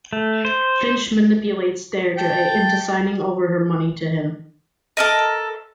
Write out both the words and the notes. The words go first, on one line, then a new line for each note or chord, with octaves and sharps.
Finch manipulates Deirdre into signing over her money to him.
A3
C5
G5 A5
A4 A#4 D#5